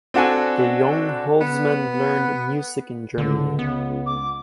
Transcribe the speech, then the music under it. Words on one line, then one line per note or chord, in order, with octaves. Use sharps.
The young Holzmann learned music in Germany.
C4 D4 F#4 A4 G#5
B3
C#2 D3
B3
D6